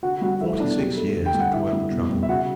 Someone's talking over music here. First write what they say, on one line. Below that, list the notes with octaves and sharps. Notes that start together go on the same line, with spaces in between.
Forty-six years of toil and trouble!
D3 F#4 F#5
G3 F#4 F#5
A3 E4 E5
B2 D4 D5
F#3 G4
A3
D3
G5
G3
F#5
D3 E4 E5
G3
B2
G3
E5
C#3 F#4 F#5